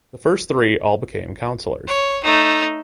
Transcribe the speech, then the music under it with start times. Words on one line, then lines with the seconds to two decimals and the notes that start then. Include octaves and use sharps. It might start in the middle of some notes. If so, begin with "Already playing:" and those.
The first three all became councilors.
1.87 C#5
2.24 A3 D#4